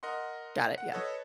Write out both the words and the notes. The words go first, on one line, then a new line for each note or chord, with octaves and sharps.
Got it, yeah.
A#4 D#5 F#5 C6
F#5
A4 B4 C#5 D#5